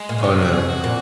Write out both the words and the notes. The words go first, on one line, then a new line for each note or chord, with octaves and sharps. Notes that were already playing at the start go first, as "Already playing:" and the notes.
Oh, no.
Already playing: G#3
A#2
C#3
C3 C#4
G#4
F#4
G#4
F#4
A#2